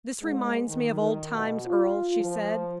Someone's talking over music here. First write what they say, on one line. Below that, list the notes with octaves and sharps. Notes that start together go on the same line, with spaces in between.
"This reminds me of old times, Earle," she said.
G#2
D#3
D#3
B2
F4
F3